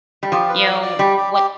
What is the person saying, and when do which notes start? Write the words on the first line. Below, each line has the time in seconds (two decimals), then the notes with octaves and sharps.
you know, what
0.23 G3
0.32 F3 G4
0.49 B4
0.66 D5
0.82 D5
0.99 G3 G4
1.17 G4
1.33 G4